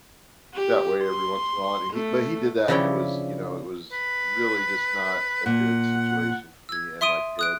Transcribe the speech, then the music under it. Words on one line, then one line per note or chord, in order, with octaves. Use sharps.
that way every once in while, but he but he did that, and it was you know, it was really just not a good situation for me and my kid.
G4
C6
A3
C#3 F3 D4 E4 C#5 G5
B4
A#2 F#5
E6 G#6
E5 C6 D#6 D7 D#7
D#6 F#6 D7